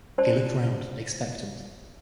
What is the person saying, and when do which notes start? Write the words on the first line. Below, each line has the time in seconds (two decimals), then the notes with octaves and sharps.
He looked round, expectant.
0.18 C#4 C5 D5 A5